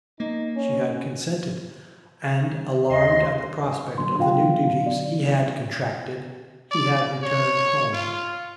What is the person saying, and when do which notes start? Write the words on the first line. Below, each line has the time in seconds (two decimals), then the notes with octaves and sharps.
She had consented, and, alarmed at the prospect of the new duties he had contracted, he had returned home.
0.20 A#3 D#4
0.56 C#4
2.90 D#2 D#5 C6
3.98 A#2 D3 F#3 C6
4.19 B2 D3 F#3 F4 F5 G5
4.57 F5
4.86 D5
6.71 D5
7.22 C#5
7.93 F4